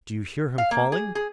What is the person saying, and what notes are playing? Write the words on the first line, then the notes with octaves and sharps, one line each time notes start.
Do you hear him calling?
F5
A#3
G#4
G#4